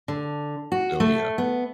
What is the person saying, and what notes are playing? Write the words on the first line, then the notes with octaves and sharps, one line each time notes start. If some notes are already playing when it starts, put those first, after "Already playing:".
Oh, yeah.
D3
F#4
A3
B3